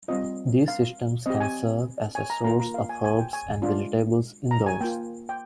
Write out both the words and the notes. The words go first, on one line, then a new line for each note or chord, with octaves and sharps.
These systems can serve as a source of herbs and vegetables indoors.
G3 C4 F4 D#5
F5
C4 G4 D#5
G#5
G#5
A#5
A#3 F4 A#5
A#5
F5
G#5
G#5
G5
G#5
G#3 D4 F4
A#5
G#5
A#3 F4 G5
G5